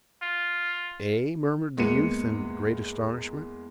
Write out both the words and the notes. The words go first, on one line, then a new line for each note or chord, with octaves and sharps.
"Eh?" murmured the youth in great astonishment.
F4
E2 G#3 A#3 B4 C#7 D#7